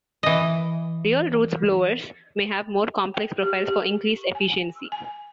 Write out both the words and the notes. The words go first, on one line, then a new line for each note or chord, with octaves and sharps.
Real Roots blowers may have more complex profiles for increased efficiency.
E3 D#5
G5
G4
G4
G#5
G#5